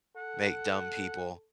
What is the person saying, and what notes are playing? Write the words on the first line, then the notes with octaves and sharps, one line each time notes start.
make dumb people,
A4 F#5